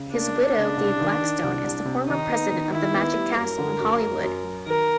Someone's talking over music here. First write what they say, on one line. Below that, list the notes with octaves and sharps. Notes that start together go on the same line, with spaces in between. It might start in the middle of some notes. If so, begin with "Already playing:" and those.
His widow, Gay Blackstone, is the former president of The Magic Castle in Hollywood.
Already playing: C#3
A#3 D4
A#3
C#3
C2
D#3
D#3
C2
C2
C3
D#3 D#4
B3
D#3
D#3 E4
B3
G3
F#2 A#4
D3
F#2
F#2
F#2
F#3
D#3 A#4